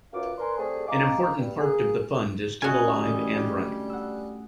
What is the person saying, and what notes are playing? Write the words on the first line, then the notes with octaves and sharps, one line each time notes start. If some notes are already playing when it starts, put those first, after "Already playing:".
An important part of the fund is still alive and running.
F#2 F4 B4 C#5 F5 D6
D4 A#4 B4 G#5 C6
G3 A3 C4 G#4
D#5 F5 G#5 A#5 D6
G2
A#3 G#4
G3 C#4 F#4 D#5 G#5
E3 A3
D4 F4 G4
F#5 E6